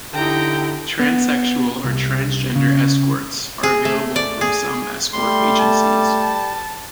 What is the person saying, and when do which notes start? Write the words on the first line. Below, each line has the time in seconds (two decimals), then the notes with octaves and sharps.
Transsexual or transgender escorts are available from some escort agencies.
0.13 D3 D#4 E4 G4 G5 A#5
0.99 B3
1.84 C2
2.56 C#3
3.63 G#4
3.85 A3
4.16 D5
4.41 G#4
5.13 G3 A3 C6
5.59 A5